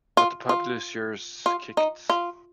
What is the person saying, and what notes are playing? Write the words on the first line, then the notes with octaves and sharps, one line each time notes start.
But the publishers kicked.
F4
F4
F4
D#4
F4